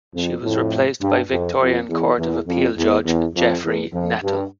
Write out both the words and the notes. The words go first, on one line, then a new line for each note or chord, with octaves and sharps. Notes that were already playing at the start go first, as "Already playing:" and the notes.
She was replaced by Victorian Court of Appeal judge Geoffrey Nettle.
F2
F2 A2
G2
F2
F2
E2
E2
F2
E2
E2
F2
E2
F2
G2